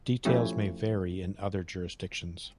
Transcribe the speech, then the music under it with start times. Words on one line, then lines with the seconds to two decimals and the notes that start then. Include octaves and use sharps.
Details may vary in other jurisdictions.
0.25 F3 A3 C#4 E4 G4